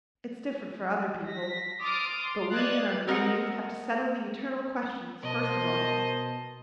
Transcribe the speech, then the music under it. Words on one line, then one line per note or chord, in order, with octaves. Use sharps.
It's different for other people; but we in our green youth have to settle the eternal questions first of all.
A#6 B6
C6 D6 D#6 F6 A6 D7
C6
D5 D#5 F5 F#6 G#6 A6
C4 A#4 D#5 F#5
B2 A#4 C5 D#5 A5